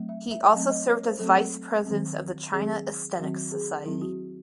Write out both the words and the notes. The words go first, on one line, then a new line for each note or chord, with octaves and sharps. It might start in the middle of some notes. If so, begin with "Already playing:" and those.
He also served as Vice President of the China Aesthetics Society.
Already playing: F#3 A3 C4
E5
E5
F#3 A3 C4 D#5
D#5
C#5
C5
F#3 A3 C4 A4
D#3 F#3 C4
D#3 F#3 C4 G#4
D#3 F#3 C4 F#4
G#4
D#3 F#3 C4 E4
F#4